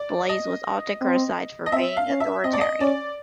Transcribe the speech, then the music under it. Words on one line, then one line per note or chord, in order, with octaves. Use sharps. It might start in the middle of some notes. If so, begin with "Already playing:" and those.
Blaize was often criticized for being authoritarian.
Already playing: D5
D#5
C4
D#5
C4 E5
F5
C#4
E5
C4 D#5
D5
D#5
C#4 D5